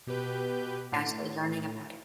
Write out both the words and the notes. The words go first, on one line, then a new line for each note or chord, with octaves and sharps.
Actually learning about it.
B2 G4 B4 G6
A2